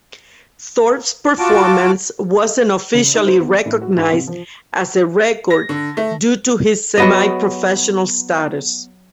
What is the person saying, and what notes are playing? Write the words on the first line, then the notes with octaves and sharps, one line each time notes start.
Thorpe's performance wasn't officially recognized as a record due to his semi-professional status.
F4 F#4 A5 D6
C#3
D#4
C5
E2
D5
A2
F#4
G#2
C3
F3
A#6
D3
A3
F#3 B3 D#5